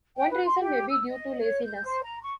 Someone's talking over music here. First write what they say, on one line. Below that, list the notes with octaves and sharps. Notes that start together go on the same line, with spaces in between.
One reason may be due to laziness.
G5
B4
C6
G4
E6
D#5
C#5
G6
C5
A#5
C#6